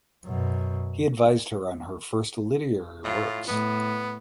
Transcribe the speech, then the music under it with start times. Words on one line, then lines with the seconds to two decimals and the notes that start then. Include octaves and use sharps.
He advised her on her first literary works.
0.25 F#2 B2
3.04 A2 F4
3.48 A2 B3